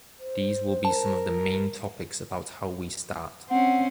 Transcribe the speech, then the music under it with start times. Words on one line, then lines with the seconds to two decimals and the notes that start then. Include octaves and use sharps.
These will be some of the main topics about how we start.
0.19 C5
0.85 A#4 A5
3.50 C4 C#4 F#5